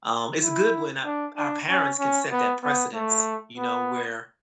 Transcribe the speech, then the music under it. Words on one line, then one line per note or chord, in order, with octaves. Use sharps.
um it's good when a our parents can set that precedence, you know, where,
E4
D4
D4
C#4
C#4
B3
B3
A3
B3